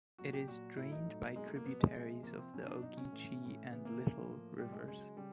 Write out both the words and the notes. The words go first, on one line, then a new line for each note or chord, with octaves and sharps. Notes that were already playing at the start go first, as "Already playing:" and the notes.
It is drained by tributaries of the Ogeechee and Little rivers.
A#2 F#3 F#4
G4
A#2 F#3 F#4
A2 F#3 E4
D#4
A2 F#3
B2 F#3 G#3
A3
A#3
B2 F#3 B3
G#3
C3 F3
C3 F3 A#3
C4
B2 F#3 C#4
D4
B2 F#3 D#4
C#4
A2 E3
A2 E3
C#3 E3 B3
A#3
C#3 E3
A2 F3
A2 F3 G3
G#3
C#3 F#3 G#3
C#3 G3